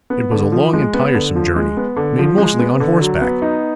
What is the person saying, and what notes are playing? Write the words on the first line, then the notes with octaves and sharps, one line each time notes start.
It was a long and tiresome journey, made mostly on horseback.
B3
D3
F3
G#3
B3
D3
F3
G#3
B3
D3
F3
G#3
B3
D3
F#3
B3
D#4